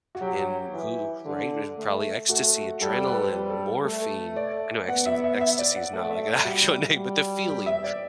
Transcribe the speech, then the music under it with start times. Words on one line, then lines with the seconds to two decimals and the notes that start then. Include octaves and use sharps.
and who right, and probably ecstasy, adrenaline, morphine I know ecste ecstasy is not, like, an actual name, but the feeling
0.15 F#4
0.21 F#3 G4
0.73 E3
1.25 D3
1.77 A3
2.29 A3 F#4
2.81 G3 A4
3.07 B4
3.23 C5
3.33 G3 B4
3.50 A4
3.85 A3
4.36 D5
4.89 B3 F#5
5.06 E5
5.24 E5
5.41 E5
5.59 D5
5.76 F#5
5.93 A3 F#5
6.11 E5
6.27 E5
6.44 G3 F#4
6.97 G3
7.49 G4
7.66 E5
7.84 D5